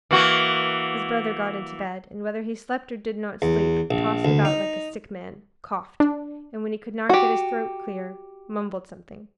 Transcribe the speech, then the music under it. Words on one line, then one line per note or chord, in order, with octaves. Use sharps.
His brother got into bed, and whether he slept or did not sleep, tossed about like a sick man, coughed, and when he could not get his throat clear, mumbled something.
E3 A#3 F#4
E2
A#1
D2
D#4
D4
F#4 G4